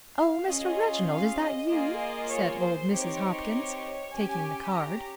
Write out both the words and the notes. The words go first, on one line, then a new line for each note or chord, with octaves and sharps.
"Oh, Mr. Reginald, is that you?" said old Mrs. Hopkins taking the card.
F5
C#4 F4 G#4 D#5
F5
D#5
A#3 F4 G#4 D#5
D#5
C#5
C5
C4 D#4 G4 C#5
C#4 G4 G#5
A#5